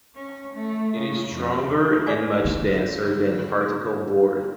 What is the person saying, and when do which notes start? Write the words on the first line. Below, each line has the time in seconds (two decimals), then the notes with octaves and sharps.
It is stronger and much denser than particle board.
0.14 C#4
0.53 A3
0.96 C#3
1.30 F2
2.07 G#4 D5 G#5
2.45 D3
3.61 G#4